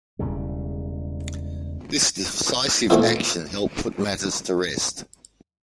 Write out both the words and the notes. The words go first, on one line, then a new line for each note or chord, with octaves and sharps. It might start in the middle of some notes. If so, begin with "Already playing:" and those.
This decisive action helped put matters to rest.
E1 E2 C#3 G3
A#2 E3 A3 C4 E4